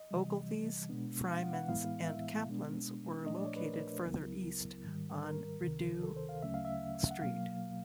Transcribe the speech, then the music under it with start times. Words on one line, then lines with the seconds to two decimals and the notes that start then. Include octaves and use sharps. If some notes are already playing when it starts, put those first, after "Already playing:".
Ogilvy's, Freimans and Caplan's were located further east, on Rideau Street.
Already playing: D#5
0.11 C3 E3 G3
0.89 B2 G#3 B3 D4
1.29 F5
1.42 F#5
1.55 F#5
1.68 A2 E3 G#3 B3 E4 F5
2.07 E5
2.47 B2 G#3 B3 D4
3.27 A#2 F3 A3 D4 D#5
3.36 D5
3.46 C#5
3.56 B4
3.66 A#4
4.05 C#2 C#3 F#3 B3 E4
4.85 G#2 D#3 G3
5.25 A#4
5.63 C#2 C3 D#3
6.03 A4
6.17 C5
6.29 F5
6.42 D2 C#3 F#3 A3 C#4 E5
6.54 F5
6.65 E5
7.11 F#5
7.22 B2 F#3 A#3 F5